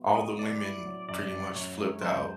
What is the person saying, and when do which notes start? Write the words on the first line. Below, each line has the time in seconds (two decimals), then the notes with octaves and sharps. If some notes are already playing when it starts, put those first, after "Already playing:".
All the women pretty much flipped out,
Already playing: F#3 B3
0.15 B3 D#5
0.39 A2 D5
0.62 E4 D5
0.85 F#3
1.09 F#2 D5
1.32 F#2
1.55 F#2 C#5
1.78 G#3
2.01 F#2 C5